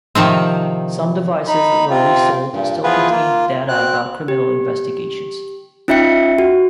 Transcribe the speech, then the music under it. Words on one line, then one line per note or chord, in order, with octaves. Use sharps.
Some devices that were resold still contained data about criminal investigations.
C3 D#3 F3 C4
D#4 B5
C3 C4 F4
G2 A#2
E3 F3 B3 F4 G#4 B4
A#3 F4
B2 C4 F#6
G4
C#4 D#4 F4 E5 G5 C#7
F#4